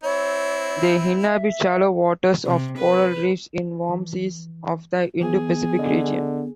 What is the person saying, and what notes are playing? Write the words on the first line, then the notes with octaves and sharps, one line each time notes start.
They inhabit shallow waters of coral reefs in warm seas of the Indo-Pacific region.
C4 E4 C#5
E5
C3
B4
E3
E3 B3 G#4
D3 D#5